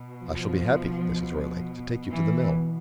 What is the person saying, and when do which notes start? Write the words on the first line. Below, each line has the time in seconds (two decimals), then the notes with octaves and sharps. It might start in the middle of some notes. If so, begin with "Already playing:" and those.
"I shall be happy, Mrs. Roylake, to take you to the mill."
Already playing: B2
0.21 F3
2.10 E3